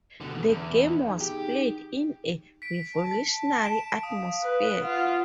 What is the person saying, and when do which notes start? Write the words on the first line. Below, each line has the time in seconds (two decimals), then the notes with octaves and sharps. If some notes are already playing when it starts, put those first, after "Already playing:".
The game was played in a revolutionary atmosphere.
0.21 B2 D3
0.48 E2
1.08 D#4 G#4
1.21 G4
2.62 B6 D7
2.95 A5
3.64 D7 E7
4.03 F5 D#6
4.43 B4
4.82 F4 F#5